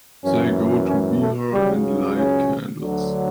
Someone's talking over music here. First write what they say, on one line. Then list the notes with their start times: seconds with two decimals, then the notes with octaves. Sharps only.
They go to Bihar and light candles.
0.25 F#2 E3 C#4
0.89 C#4
1.21 A3
1.53 C#2 C#3 F#3 G3
2.18 C#4
2.82 D2 D3 F#3